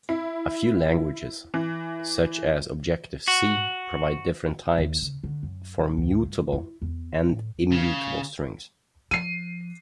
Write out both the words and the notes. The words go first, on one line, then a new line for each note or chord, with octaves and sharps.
A few languages, such as Objective-C, provide different types for mutable and immutable strings.
E4
E3
F#4
D#2
C#3
D3
F#2
D#1
D2
G2
E4
E2
A2
C#3
F3 C7 D#7